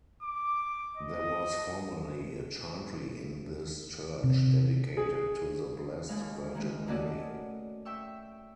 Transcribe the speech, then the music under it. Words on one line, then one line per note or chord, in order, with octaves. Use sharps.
There was formerly a chantry in this church, dedicated to the Blessed Virgin Mary.
D6
D#5
C3
G#4
D#2 C#3 G#3 F5
D#3 G#3 A#3
A3 A#3 C#4 F#4 D5 D#5
E5 G5 C#6 E6